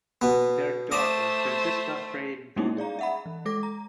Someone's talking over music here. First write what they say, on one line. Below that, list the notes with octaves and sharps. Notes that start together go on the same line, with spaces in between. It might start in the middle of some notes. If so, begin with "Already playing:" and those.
Their daughter, Franziska Freide b.
B2 B3
A3 C5 D#5 D6
G3 G#3 A#3 C#4 D#4 E4
G#4 D5 F5 A#5
E5 F#5 B5
E3
G#3 A4 D6 A#6
A#5